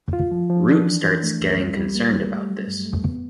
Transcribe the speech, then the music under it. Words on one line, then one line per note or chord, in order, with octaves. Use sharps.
Root starts getting concerned about this.
F4
F3
F3
D4
E3
E3
A3
C#2
G3
G3
A#3
G3
A3
F#3
G2
A3
B3